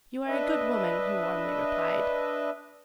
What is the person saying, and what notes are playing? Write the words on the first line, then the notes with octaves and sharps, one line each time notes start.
"You are a good woman," he warmly replied.
D4 B4 D#5 E5